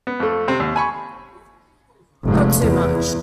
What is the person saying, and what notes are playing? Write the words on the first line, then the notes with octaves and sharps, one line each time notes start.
Not too much.
B3
F2 A3
C3 C4
D#2
G#5 B5 C#6
F1 G#2 F3 A3
E2